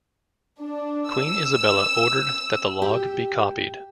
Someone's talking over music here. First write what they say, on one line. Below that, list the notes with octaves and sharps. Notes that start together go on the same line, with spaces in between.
Queen Isabella ordered that the log be copied.
D4
E6
G4